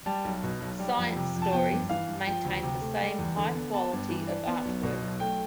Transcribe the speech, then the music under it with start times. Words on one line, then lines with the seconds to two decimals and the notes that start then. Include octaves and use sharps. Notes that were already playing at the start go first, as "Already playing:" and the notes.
"Science Stories" maintained the same high quality of artwork.
0.06 G3 A5
0.24 B1
0.44 B2
0.61 B1
0.79 G3
0.97 F2
1.16 C3
1.35 F2
1.42 A5
1.53 B3 G5
1.72 G2
1.89 E3 F5
2.08 G2
2.26 F3 G5
2.44 D2
2.63 C3
2.81 A3
3.01 G3
3.19 E2
3.37 D3
3.55 B3
3.74 B3 A5
3.92 G2
4.10 E3
4.28 D4
4.47 B3
4.65 B1
4.83 B2
5.02 B1
5.20 A3 G5